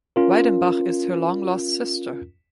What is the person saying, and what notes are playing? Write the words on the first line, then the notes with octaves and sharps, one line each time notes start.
Weidenbach is her long-lost sister.
C#4 F4 A#4